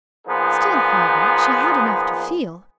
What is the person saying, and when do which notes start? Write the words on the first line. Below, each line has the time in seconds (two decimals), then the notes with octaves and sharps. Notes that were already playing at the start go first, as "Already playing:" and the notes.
Still, however, she had enough to feel!
0.27 A#2 F3 B3 D#4 G#4